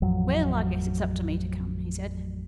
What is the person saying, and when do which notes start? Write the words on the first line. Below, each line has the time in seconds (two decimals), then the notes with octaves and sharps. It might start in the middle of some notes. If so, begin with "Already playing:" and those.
"Well, I guess it's up to me to come," he said.
0.02 A1 F2 F3 F#3